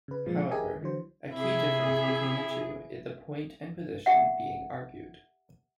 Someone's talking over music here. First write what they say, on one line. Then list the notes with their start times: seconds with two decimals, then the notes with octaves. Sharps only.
However, a key difference between the two is the point and position being argued.
0.08 C#3 B4
0.26 A#2 F3 G#3
0.51 G4 G#4 A#4 D#5 E5 G#5
0.81 D3 E3 F#3 C5
1.33 C3 E4 G#4 E5
4.06 G4 E5 F#5